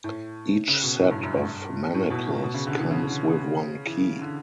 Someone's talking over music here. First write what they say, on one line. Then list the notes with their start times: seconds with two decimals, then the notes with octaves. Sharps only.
Each set of manacles comes with one key.
0.04 A2
0.68 C#3
0.83 B2
0.99 A2
1.11 G2
1.23 F#2
1.37 G2
1.95 A2
2.10 B2
2.26 A2
2.43 B2
2.54 C#3
2.67 D3
2.79 E3
2.91 C#3
3.86 E3
4.22 D3